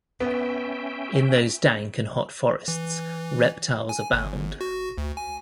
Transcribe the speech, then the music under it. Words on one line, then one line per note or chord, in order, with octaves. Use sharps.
In those dank and hot forests reptiles abound.
B3 C#4 E5 G5
E3
G#5
G1
F#4
D2
G#5